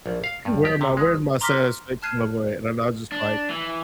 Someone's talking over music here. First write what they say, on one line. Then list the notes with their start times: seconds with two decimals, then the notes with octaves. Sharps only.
"Okay, where am I, where's my satisfaction level at?" and I just like,
0.06 A#1
0.24 F5
0.45 G2
0.65 G4
0.81 C3
0.97 G#3
1.41 A#5 C6 D6 F6 A#6 B6
2.02 A5 F6 F#6 G#6 C7 D#7
3.12 D4
3.50 E3